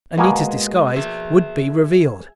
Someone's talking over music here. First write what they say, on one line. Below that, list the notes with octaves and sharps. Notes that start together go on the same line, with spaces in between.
Anita's disguise would be revealed.
B2 G#3 A#3 G#5
G#4 E5